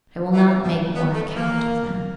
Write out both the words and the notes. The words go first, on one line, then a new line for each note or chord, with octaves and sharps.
I will not make more account of them.
E3
F3
B3
A3
A#3